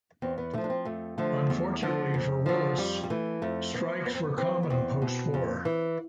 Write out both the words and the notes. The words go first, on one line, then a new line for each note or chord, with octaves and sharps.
Unfortunately for Willys, strikes were common postwar.
E2 C4
B3
D3 F3 A3
D4
C4
F2 A3
D3 F3 A3
E2
D3 F3
F2
D3 F3
F2 G3
G3
E3 A3
F2 A3
D3 F3 B3
F2 B3
C4
B3
E3 C4
B3
E2 C4
B2
F2
E3